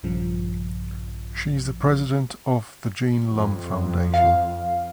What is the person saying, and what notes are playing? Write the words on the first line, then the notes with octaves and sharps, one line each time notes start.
She is the president of the Jean Lumb Foundation.
A#1 G2 C#3 F3
F2
F5